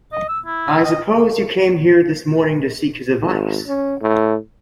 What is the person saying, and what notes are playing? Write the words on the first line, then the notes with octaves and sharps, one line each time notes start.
I suppose you came here this morning to seek his advice?
D#5
E6
E4
D#5
G#1
C#4
A2